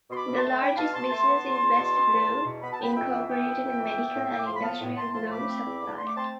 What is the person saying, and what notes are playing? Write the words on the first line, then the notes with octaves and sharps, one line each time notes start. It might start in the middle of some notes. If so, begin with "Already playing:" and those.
The largest business is Best Glove, Incorporated a medical and industrial glove supplier.
B2 C6
B5 D6
B2
A5 C6
A3
D4 G5 B5
B2 F5 A5
B2 A5 C6
A3 A5 C6
B3
E2
E2
B2
B3
E2
E2
B2
B3 B5
A5
F2 G5 B5
F2 E5 G5
E3
B3 E5 G5
F2
F2
E3
B3
A2
A2
D6
F3 C6
B5
B3 F5 A5
A2
A2 A5 C6
F3 A5 C6
A3 B5 D6
C4
E2
D3
A3 C6
D6
C4 A5 C6